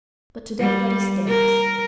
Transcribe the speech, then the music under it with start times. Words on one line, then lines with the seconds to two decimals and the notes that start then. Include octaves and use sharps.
But to-day let us dance.
0.60 G3
1.28 A#4